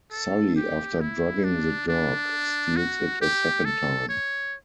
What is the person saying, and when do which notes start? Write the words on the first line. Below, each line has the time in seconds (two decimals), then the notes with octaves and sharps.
Sully, after drugging the dog, steals it a second time.
0.11 A4
0.56 G4
1.00 E4
1.44 D4
1.88 D4
2.76 F#4
3.21 G4
3.65 A4
4.09 C#5